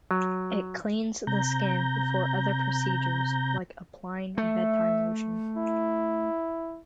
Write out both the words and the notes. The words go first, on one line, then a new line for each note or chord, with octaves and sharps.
It cleans the skin before other procedures, like applying bedtime lotion.
F#3
C3 A#5 G6
A3 E5
E4